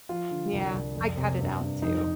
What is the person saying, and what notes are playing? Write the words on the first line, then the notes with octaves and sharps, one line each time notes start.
Yeah, I cut it out too.
F3 F4
D3
C2
C2
F2
C3
G2
G2
F2 D#4